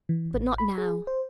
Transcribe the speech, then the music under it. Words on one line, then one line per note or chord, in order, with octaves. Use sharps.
But not now.
E3
A1
B5
G#4
C5